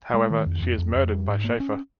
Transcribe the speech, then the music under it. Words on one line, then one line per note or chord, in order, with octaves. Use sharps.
However, she is murdered by Shafer.
G#3
D#3
F2
F2
F2
F2
G3
G#2
A#3
C#4